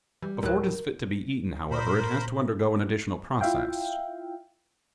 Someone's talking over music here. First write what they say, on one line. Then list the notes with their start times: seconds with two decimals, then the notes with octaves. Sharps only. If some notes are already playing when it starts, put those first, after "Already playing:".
Before it is fit to be eaten, however, it has to undergo an additional process.
0.22 E3 G3
0.43 D2 A2 F#3 A#4 F#6
1.71 A#2 A#4 C5 B5
3.41 E4 F4 E5 F5 G5